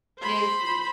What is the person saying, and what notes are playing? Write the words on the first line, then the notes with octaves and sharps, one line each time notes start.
kids and
C5 B5